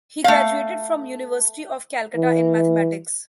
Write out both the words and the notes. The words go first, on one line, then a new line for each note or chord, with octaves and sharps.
He graduated from University of Calcutta in mathematics.
A3 F5
E3